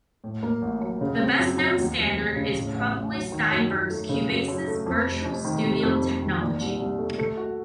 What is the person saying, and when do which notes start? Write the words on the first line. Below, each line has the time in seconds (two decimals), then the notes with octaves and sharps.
The best known standard is probably Steinberg Cubase's Virtual Studio Technology.
0.24 A2
0.43 A#3
0.62 A1
0.81 F#3
1.01 C#3
1.20 C4
1.39 F#2
1.58 F#3
1.78 D#2
1.97 F1
2.16 F1
2.36 C#3
2.55 A2
2.74 A1
2.94 A1
3.13 F#3
3.32 D#3
3.51 F#2
3.71 F#2
3.90 A3
4.09 C#3
4.29 F#2
4.48 F#2
4.68 A3
4.86 F2
5.06 F1
5.25 F1
5.45 D#3
5.64 C3
5.83 F2
6.02 F2
6.22 D#3
6.41 A#2
6.61 C2
6.80 C2
6.99 A3
7.19 A3
7.37 F#4